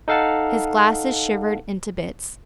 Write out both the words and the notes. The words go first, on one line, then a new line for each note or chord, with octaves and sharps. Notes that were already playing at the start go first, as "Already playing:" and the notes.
His glasses shivered into bits.
D#4 A4 F5 F#5 A5